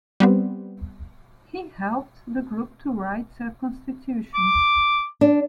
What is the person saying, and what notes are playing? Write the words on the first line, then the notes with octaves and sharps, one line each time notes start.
He helped the group to write their Constitutions.
G3 B3 C4
D6
D4